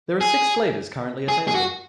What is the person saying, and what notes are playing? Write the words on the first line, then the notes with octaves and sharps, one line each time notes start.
There are six flavors currently available.
G#4
G#4
G#4
F#4